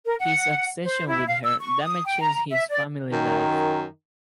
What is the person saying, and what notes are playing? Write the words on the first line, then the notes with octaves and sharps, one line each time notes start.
His obsession with her damages his family life.
A#4
F#5
C5
E4
F5
E6
C#6
D#6
G5
A#5
E5
D5
F#2 D#3